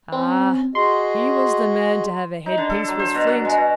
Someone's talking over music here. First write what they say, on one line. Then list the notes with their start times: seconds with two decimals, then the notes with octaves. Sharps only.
Ah, he was the man to have a headpiece, was Flint!
0.12 C4 C#4
0.75 F#4 G#4 D#5 C6
2.46 D#4
2.58 D3
2.70 A4
2.87 F#3
2.99 C5
3.14 B2
3.27 F#4
3.45 G#3
3.57 B2